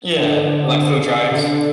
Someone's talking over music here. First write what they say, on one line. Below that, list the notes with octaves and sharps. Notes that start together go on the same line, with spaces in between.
Yeah, like food drives.
D3
C3
D3